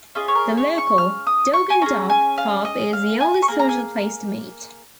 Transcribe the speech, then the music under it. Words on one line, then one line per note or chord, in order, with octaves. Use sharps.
The local "Dog and Duck" pub is the only social place to meet.
C#4 F4 G#4 D#5
C#5
A#4
C#5
C#6
F6
D#6
C#6
G#5
C#4 G#4 A#5
G#5
F5
D#5
F5
G#5
C#6
A#3 D#4 G#4 A#5
A#5
G#5